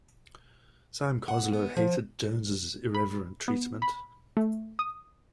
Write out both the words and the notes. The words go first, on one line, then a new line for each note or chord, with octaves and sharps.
Sam Coslow hated Jones' irreverent treatment.
F#5
B3
F3
B5
B3
B5
A3
D#6